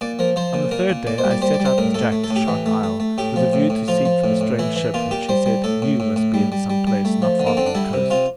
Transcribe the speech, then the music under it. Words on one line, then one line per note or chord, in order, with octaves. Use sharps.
On the third day I set out with Jack to Shark Isle, with a view to seek for the strange ship which he said he knew must be in some place not far from the coast.
A#2 D5
F3 A#4
F3 C5
A#2
A#2 A#4
A#2
A#2 D5
C5
G3
D5
G3 C5
D5
G3
C5
A2 A#4
A2 A4
A3
A4
A2
G4
E3
A3
A3
A3
A2 G4
F3
A2
A2
F3 F4
F3
A2
A2
E3 E4
E3
A#2 F4
A#2 G4
G3 C5
G3
A2 A4
A2
A2
A2
G3
G3
G3
G3
A3
F3
D3
A#3
D3 C4
D4
G3 E4
C3
C3 F4